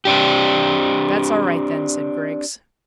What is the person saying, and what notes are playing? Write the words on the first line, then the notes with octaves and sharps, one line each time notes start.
"That's all right, then," said Griggs.
C4 D4 G4